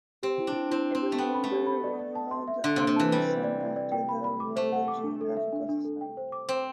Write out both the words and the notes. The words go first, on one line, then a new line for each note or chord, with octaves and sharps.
It was named by Roald Amundsen after the Royal Geographical Society.
C4 G4
E4
D4
E4
C4 E4
E4
C4
G4
A3
B3 G5
B5
A3
G4
B5
D5
D5
A5
C6
E5
D3 C6
C3 C6
C3
E3 A5
G3 B4
B4
D5
D5
D5
G5
B5
B5
D6
A3 C5
F#5
D6
D4
A4
E5
D4
D4
A4
G5
C5
D6
C4 C5